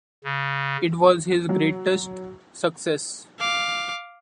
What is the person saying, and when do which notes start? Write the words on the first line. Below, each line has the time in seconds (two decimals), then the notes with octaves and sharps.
It was his greatest success.
0.24 C#3
1.49 F#3
3.39 F5 D6